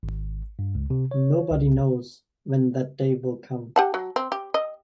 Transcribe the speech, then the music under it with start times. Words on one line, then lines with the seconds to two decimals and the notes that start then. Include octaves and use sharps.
Nobody knows when that day will come.
0.03 G#1
0.59 G2
0.75 C#2
0.90 C3
1.11 C#5
1.51 C2
3.76 G4 F#5 A5
3.94 F#3
4.16 C4
4.32 G4
4.54 D#5